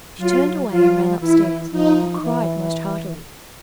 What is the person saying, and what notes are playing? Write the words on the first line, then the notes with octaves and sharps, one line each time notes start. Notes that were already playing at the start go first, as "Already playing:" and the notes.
She turned away, and ran up-stairs, and cried most heartily.
F#3 F4
F3 F4
E3 E4
F3 D#4
E3